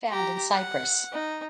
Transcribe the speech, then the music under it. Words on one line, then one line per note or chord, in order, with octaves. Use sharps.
Found in Cyprus.
G4 A#5
F#5
D#4